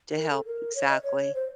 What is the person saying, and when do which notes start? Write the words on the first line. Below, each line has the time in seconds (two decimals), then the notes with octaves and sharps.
to help Exactly.
0.16 A#4
0.31 A4
0.46 A#4
0.75 C#5
0.89 D#5
1.02 C#5
1.35 C5